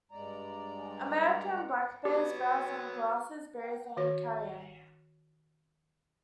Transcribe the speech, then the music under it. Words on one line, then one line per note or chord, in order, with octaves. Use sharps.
American black bears browse on grasses, berries, and carrion.
G2 G#3 D5 A#5
F#3 B3 G4
D#3 F#4 C#5